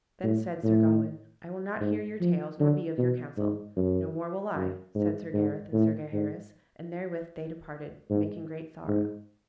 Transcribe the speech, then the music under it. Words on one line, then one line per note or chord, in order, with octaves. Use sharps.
Then said Sir Gawain, "I will not hear your tales nor be of your counsel." "No more will I," said Sir Gareth and Sir Gaheris, and therewith they departed, making great sorrow.
A2
A2
G#2
F3
D3
B2
G#2
F#2
F#2
G#2
G#2
A2
G#2
G#2
G#2